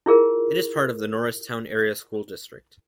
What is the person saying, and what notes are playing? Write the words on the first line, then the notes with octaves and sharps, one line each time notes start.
It is part of the Norristown Area School District.
E4 F4 G#4 A#4